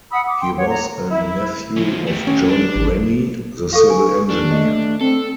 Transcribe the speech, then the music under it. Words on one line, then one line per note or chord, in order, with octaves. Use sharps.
He was a nephew of John Rennie, the civil engineer.
F#5 B5 D#6 E6
D6
G5 C6
C#5 F#5
A#5
E4
F3 C#4
A3 G4
C#4
D4
G#1
A4 F5 C#6
G#5
D4
A3 D#5
C4 A4